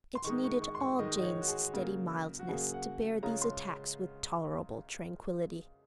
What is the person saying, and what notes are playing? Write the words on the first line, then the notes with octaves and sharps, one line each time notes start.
It needed all Jane's steady mildness to bear these attacks with tolerable tranquillity.
C6
D#3 G#3 D#4 C#6
C#6
C#6
C6
C#6
D#3 G#3 D#4 D#5
D#5
C#5
F#4
G#4
C#3 F#3 A#3
F#4
C#3 F#3 A#3 G#4
F#5
C#3 G#3 C#4 F4 A#5
C6